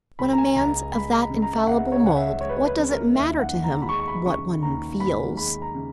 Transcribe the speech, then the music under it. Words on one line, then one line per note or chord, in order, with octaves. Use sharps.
"When a man's of that infallible mould what does it matter to him what one feels?"
C#2 B5
A#5
G#5
C#2 A#5
G#3 B5
A#5
B5
C#3
A#5
E5
C#2 F#5
C#5
C#2 F#5
E5
G#3 C#5
B4
C#5
B4
C#3
A#4
D#2 E5
F#5
D#2
A#5
B5
G#3 C#6
C#6
B5
C#3 C#6
D#2 A#5
D#2 B5
G#3 B5
A#5
C#3